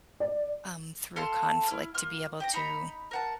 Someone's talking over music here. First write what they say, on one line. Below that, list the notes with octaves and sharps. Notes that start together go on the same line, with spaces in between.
um, through conflict to be able to,
D5
A4 F5 A5 C6
E4 F6
A#3 F4 F6
G4 G5 A#5
D#4 A#5 B5
A#4 F#5 A5